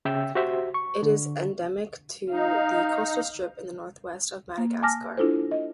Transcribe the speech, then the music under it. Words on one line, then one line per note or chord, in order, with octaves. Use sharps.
It is endemic to the coastal strip in the northwest of Madagascar.
C#3 E5 G5 E6
F#4 G4 C5 E5
C#6
D3
D#4 F5
A#3
G#5 A5 D6 F6 A#6
D4 E4 F4 A4 C5
D#5